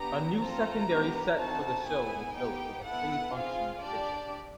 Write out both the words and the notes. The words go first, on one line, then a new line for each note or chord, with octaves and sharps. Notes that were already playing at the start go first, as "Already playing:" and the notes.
A new secondary set for the show was built with a fully functional kitchen.
Already playing: B3 D4 G4 A#5
C4 F4 A4 A#5
B3 D4 G4
C4 D#4 F#4 A4 A5
B3 E4 G#4 G#5
B3 D#4 G4 G5
B3 E4 A4 F#5
C4 F4 G#4 F5
D4 G4 D5